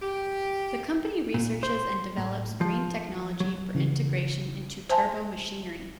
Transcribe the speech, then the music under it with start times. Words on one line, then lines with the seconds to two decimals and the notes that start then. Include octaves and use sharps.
The company researches and develops green technology for integration into turbomachinery.
0.01 G4
1.34 A#2
1.63 C5
2.17 A2
2.61 F3
3.40 F#3
3.75 C#3 E3
4.89 C5 E5 G#5 A5 C6